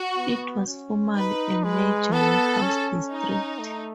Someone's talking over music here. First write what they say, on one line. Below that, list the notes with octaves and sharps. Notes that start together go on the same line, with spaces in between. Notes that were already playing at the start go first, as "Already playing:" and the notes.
It was formerly a major warehouse district.
Already playing: F#4
B3
C#4
D#4 B4
G#3 B4
B3 A4
C#4
D#4
A3